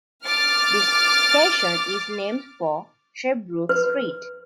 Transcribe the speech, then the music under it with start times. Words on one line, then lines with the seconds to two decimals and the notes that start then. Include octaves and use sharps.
This station is named for Sherbrooke Street.
0.25 D6 F6 A6
3.69 B4